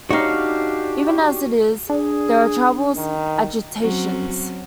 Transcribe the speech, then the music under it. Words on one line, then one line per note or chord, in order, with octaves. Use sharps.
Even as it is — there are troubles — agitations.
D4 D#4 F#4 G4 C#5 F5
D4 G#4
D#3
F#3 C4 C#4